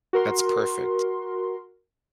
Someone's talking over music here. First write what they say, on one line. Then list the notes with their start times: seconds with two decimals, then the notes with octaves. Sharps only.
That's perfect.
0.13 F#4 A#4 C6